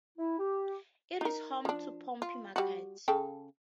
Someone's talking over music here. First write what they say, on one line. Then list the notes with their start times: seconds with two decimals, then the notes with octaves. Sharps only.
It is home to Pompey Market.
0.18 E4
0.39 G4
1.21 D#4 A#4
1.65 F3 D4
2.22 F4
2.56 G3 F#4
3.08 C#3 A4 G5